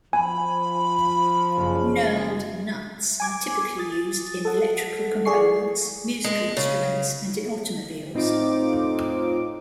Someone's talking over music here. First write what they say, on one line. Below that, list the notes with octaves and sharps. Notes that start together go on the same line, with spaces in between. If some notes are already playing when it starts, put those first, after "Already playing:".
Knurled nuts are typically used in electrical components, musical instruments and in automobiles.
F3 G#5 B5
F#1 F5
G#5 D6 G#6
D#6 A6
A4 F#5
G#4 D5 G#5 C#6 C7
G#3
C#3
A2 C4 D#4 F4 D6